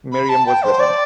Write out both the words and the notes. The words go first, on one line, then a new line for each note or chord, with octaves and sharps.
Miriam was with him.
B5
A5
G5
C5
D5